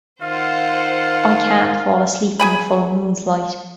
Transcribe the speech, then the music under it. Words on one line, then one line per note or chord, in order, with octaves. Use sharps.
I can't fall asleep in the full moon's light.
D#3 F4 C5 F5 F#5
G#4 G#5 B5